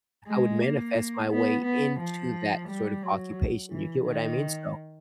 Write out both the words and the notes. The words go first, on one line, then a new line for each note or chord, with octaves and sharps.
I would manifest my way into that sort of occupation, you get what I mean? So,
G#3
A#3
B3
B3
F3
G3
F#3
E3
D#3